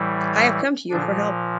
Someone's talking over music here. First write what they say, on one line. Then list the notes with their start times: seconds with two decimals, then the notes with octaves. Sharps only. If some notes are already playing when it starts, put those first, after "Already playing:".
I have come to you for help.
Already playing: A2 E3 G3
0.90 A#2 D3 F3 D4